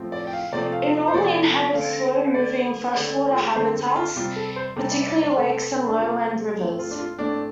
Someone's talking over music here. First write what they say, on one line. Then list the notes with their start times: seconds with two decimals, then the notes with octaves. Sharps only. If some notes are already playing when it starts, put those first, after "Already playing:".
It normally inhabits slow-moving freshwater habitats, particularly lakes and lowland rivers.
Already playing: A2 F3 C4
0.12 D5
0.27 G5
0.33 F5
0.52 C3 F3 A3 C4 D5
0.72 F5
1.07 C5
1.13 C3 F3 A3 C4 D5
1.73 D3 A3 C4 F5
2.34 D3 A3 C4 D5
2.95 D3 A3 C4 D5
3.31 F4
3.39 G4
3.48 A4
3.56 D3 A3 C4 C5
3.76 A4
3.96 F4
4.16 C3 G3 C4 F4
4.36 A4
4.56 C5
4.76 C3 G3 C4 A4
4.92 D5
5.07 D5
5.23 D5
5.37 C3 A3 C4 A4
5.87 D4
5.98 C3 A3 C4 F4
6.59 A2 A3 C4
6.79 F4
6.91 D4
6.98 F4
7.18 A2 A3 C4 D4